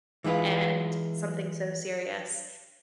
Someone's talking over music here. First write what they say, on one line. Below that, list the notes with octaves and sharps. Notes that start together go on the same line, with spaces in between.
and something so serious
E3 G#3 E4 F4 B4